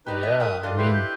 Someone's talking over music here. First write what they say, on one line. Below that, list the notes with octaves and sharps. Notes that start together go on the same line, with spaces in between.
Yeah, I mean
D#4 G4 B4 C5 D5 F#6
D#5 E5
A#4 E5 G5 D#6
D4 F4 A4 D#5 F5
E4 G4 B4 C6
G6